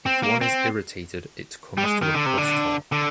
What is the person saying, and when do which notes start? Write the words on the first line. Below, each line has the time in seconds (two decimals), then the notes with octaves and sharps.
If one is irritated, it comes to a crosstalk.
0.06 C4
0.23 A#3
0.41 C4
1.78 G3
1.84 G#3
2.02 D#3
2.15 D3
2.26 C3
2.38 D3
2.92 D3